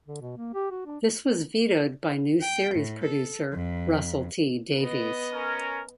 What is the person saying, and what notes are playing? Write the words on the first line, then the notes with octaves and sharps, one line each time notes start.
This was vetoed by new series producer Russell T Davies.
D3
B2
A#3
G4
F#4
D4
G5
A2
A4
F2
B3 D#5
C#4 A#4